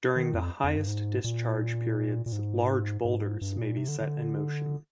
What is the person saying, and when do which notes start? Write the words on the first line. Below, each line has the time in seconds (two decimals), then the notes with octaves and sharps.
During the highest discharge periods large boulders may be set in motion.
0.16 D#3
0.34 F2
0.64 F2
0.76 G2
0.87 G#2
1.24 A#2
2.26 A#2
2.32 G#2
3.05 G#2
3.41 G2
3.59 A#2
3.77 C3
3.88 D3
4.00 D3